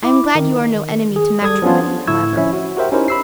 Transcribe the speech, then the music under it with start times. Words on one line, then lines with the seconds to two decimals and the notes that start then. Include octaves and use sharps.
I am glad you are no enemy to matrimony, however.
0.03 E4 D6
0.35 D#3
1.16 G#4
1.42 G3 A4 D#6 G#6
1.62 F3 B3 C#4 D4 F4
2.07 A2 D3 E4 C#6 E6 G#6
2.37 F3 C#4 E4 E5
2.53 F#4
2.77 F#4 G4 A#4 C5 E5 G5
2.92 C#4 D#4 E4 G4 A#4 C5
3.08 B5 E6 C7